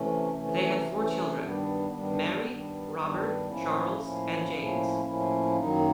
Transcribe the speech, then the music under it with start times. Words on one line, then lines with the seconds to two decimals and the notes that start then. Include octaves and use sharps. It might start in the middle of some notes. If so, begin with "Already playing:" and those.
They had four children-Mary, Robert, Charles and James.
Already playing: C3 E3 A3 C#4
0.33 C3 E3 A3 C#4
0.86 C3 E3 A3 C#4
1.37 G2 D#3 G3 B3 D4
1.90 G2 D#3 G3 B3 D4
2.43 G2 D#3 G3 B3 D4
2.95 G2 D#3 G3 B3 D4
3.47 A2 F3 A#3 C#4 E4
3.99 A2 F3 A#3 C#4 E4
4.51 A2 F3 A#3 C#4 E4
5.04 A2 F3 A#3 C#4 E4
5.56 F#2 D#3 F#3 A#3 D#4